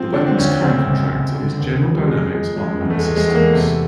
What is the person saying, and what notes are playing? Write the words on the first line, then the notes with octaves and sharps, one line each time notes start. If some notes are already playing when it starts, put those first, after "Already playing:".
The weapon's current contractor is General Dynamics Armament Systems.
Already playing: F3 C4
D3 D4
C4
D2 C#4
C#3 C4
C#2
C#2
D3
D#2
F3
G3
F2 G#3
F3 G#3
F2 G#3
E2
A3
G#3
E2
G#3
E2
A#3
C3 A3